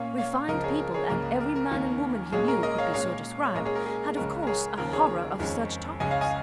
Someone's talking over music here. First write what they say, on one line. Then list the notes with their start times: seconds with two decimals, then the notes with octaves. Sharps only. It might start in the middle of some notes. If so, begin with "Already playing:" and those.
Refined people--and every man and woman he knew could be so described--had, of course, a horror of such topics.
Already playing: A#2 A#3 C#4 C#5 F5
0.18 C#5 F5
0.48 C#2 C#3 F3 A#4 D#5
0.64 G#4 C#5
0.79 A#4
0.94 G#4 C#5
1.09 C#2 C#3 A#3 A#4
1.40 A#4
1.56 A#4
1.71 D#2 D#3 A#3 C#4
2.32 A#2 G#3 C#4 G#4 C#5
2.48 A#4
2.63 A#4 D#5
2.78 C#5 F5
2.94 A#2 G#3 C#4 C#5 F5
3.45 C#5
3.55 A#2 G#3 C#4 A#4 D#5
3.65 G#4 C#5
3.75 A#4
3.86 G#4
4.17 C#2 C#3 G#3 C#4 A#4
4.43 A#4
4.47 G#4 C#5
4.78 D#2 C#3 F3 A#4
4.93 G#4 C#5
5.39 F2 D#3 G#3 C#4
6.00 C#2 C#3 G#3 C#4 D#5 G#5
6.11 C#5 F5
6.21 D#5 G#5